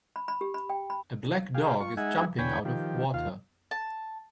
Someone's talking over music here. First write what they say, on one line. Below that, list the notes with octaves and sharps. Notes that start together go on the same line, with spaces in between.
A black dog is jumping out of water.
B5
B5
G4
B5
G5
B5
G4 G#4 F5
F4 C#6
G#3 D#4 E5 F#5 G#5
E2 D3 C#5 G5 G#5 B5
D#3 F3 G4
D#2 F4 F5
A5